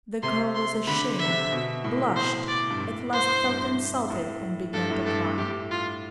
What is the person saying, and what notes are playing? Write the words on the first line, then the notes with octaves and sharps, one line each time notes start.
The girl was ashamed, blushed, at last felt insulted, and began to cry.
C3 C6
C6
D3 B5
E5
C3
D3
B2
A2
C5
D5
G2
A2
C5
G2
A2
G2 A4
A2
G2 A4
A2
A2 G4
F4